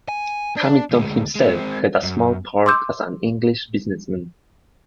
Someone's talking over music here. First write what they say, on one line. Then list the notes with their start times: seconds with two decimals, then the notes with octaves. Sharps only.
Hamilton himself had a small part as an English businessman.
0.09 G#5
0.57 D4
0.91 D2 G#3
1.35 G#3 C4
2.03 F#2
2.66 C6 D6 E6 G6